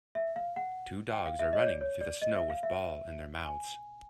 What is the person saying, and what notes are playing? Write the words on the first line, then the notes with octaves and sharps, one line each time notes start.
Two dogs are running through the snow with ball in their mouths.
E5
F5
F#5
G5
F5
E5
D#5
C#5
D5
C#5
D5
D#5
E5
F5
E5
G#5